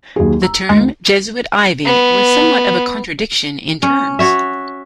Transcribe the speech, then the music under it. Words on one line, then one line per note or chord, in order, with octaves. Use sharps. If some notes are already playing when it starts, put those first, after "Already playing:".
The term "Jesuit Ivy" was somewhat of a contradiction in terms.
D#2 F#3 G#4
A#5 E6
D2 G#3
B3
C#4
F#4 C#5 E5